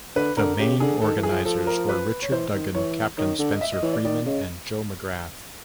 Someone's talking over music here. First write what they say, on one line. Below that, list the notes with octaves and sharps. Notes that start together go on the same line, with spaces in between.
The main organisers were Richard Duggan, Captain Spencer Freeman and Joe McGrath.
D3 B4
D3 A#4
C#3 G4
D3 G#4
D#3 A4
E3
G#4
F3
F3 A4
A#4
B4
C#5
E3 C5
D#3
E3 C#5
D#3 C#5
D3
D#5
E5
D#5
E3 C#5
D5
D#3 D5
C#3 D#5